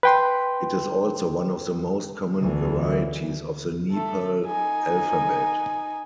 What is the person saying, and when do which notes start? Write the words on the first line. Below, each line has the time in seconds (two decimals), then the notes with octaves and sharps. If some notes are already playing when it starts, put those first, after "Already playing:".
It is also one of the most common varieties of the Nepal alphabet.
0.03 B4 G5 C6
2.41 D2 E3
3.91 A3 A4
4.46 D#4 G#5